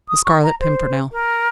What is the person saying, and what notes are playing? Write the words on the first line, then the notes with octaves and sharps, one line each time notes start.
The Scarlet Pimpernel.
D#6
C#6
A#5
C5
A#4